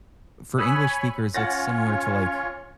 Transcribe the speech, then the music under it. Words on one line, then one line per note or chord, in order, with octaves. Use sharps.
for English speakers, it's similar to, like,
C#5 G#5 B5 D#6 E6 F#6
C#4 F4 C#5 F#5 A6 A#6